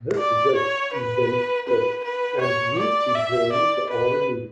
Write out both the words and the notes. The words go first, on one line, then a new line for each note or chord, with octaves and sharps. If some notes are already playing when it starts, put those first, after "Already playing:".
This goat is then followed and groups it joins are removed.
D5
C#5
B4
B4
B4
C#5
D5
E5
D5
B4